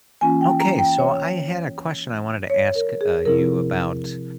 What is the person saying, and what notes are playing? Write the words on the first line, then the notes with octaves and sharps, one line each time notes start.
Okay. So, I had a question I wanted to ask, uh, you about,
E3 A#3 C#4 F4 G#5
G5
A#5
G5
C#5
C#5
A#4
G#4
C3 F3 C4 E4 A#4